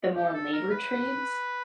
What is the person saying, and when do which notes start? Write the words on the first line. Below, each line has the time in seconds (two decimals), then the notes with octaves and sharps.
the more labor trades,
0.15 G4
0.34 A4
0.53 A#4
0.71 B4